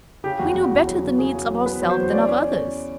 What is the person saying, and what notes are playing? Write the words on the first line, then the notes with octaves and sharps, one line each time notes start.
We know better the needs of ourselves than of others.
C#3 G4
E2 F#4
E2
E2
F#3
C#3
C#3 G#4
F#3
F#3
B3 B4
F#3
C5
E2
C#4 D5
C#4